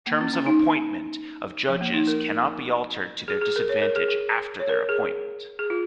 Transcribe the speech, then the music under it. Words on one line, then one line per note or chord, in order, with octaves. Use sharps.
Terms of appointment of judges cannot be altered to their disadvantage after their appointment.
A#3
C#4
C#4
D#4
F3
A#3
D#4
A#4
G#4
G#4
A#4
C#5
A#4
G#4
G#4
C#5
A#4
G#4
G#4
F4